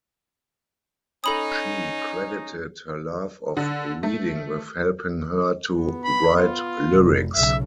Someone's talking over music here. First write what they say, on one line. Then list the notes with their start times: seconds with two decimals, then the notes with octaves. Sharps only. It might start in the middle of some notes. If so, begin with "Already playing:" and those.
She credited her love of reading with helping her to write lyrics.
1.24 C#4 D#4 A4 B5 D#6
3.57 D3
4.03 A3
5.74 B3
6.04 B5
6.37 F4
6.95 F1
7.35 B1 C#3 E5